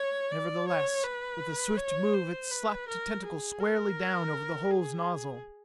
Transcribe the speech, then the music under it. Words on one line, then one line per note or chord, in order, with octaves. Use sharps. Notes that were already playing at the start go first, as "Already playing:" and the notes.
Nevertheless with a swift move it slapped a tentacle squarely down over the hose nozzle.
Already playing: C#5
D5
C#5
B4
C#5
C5
B4
A#4
G#4
A#4
G#4